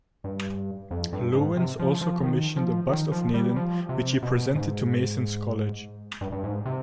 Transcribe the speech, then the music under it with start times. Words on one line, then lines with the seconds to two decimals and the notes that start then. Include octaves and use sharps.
Lewins also commissioned a bust of Naden which he presented to Mason's College.
0.24 G2
0.91 F2
1.13 G2
1.35 G#2
1.57 C3
1.79 F3
2.01 F3
2.23 D#3
2.57 F3
2.89 D#3
3.12 F3
3.34 G3
3.56 F3
3.89 C3
4.22 B2
4.55 G#2
6.21 G2
6.32 G2
6.44 G#2
6.65 C3